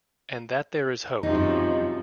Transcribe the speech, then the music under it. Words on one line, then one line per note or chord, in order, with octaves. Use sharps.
And that there is hope.
F#2 C3 F3 D#4